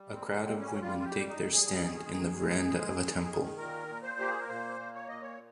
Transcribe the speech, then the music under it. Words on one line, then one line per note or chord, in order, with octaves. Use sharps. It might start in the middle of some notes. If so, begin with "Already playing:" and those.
A crowd of women take their stand in the veranda of a temple.
Already playing: G3
C4
A#2
C4
G3
C#4
G3 F4
F4
G4
G3
D#4
G3
G#4
D#3
G#3
G#3
G#3
D#3
D#3
A#2 A#4
A#2
C5
A#3 G4
G#4
A#4
A#2 C5
A#3
C#5
A#2 D#5
C#5